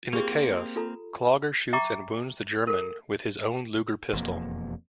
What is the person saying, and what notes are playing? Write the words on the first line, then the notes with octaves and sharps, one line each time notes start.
In the chaos, Clogger shoots and wounds the German with his own Luger pistol.
A#3 C4 F4 G4 G#4
F4 A4 A#5
E5 G5 A#5 C#6 D6
A4 A#4
E1 F2 A#3